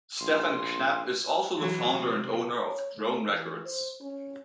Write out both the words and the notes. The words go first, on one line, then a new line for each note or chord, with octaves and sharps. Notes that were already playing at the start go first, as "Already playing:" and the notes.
Stefan Knappe is also the founder and owner of Drone Records.
A#1 C6
E3 F#3
C3
C#5
A3
E3
C5
C#4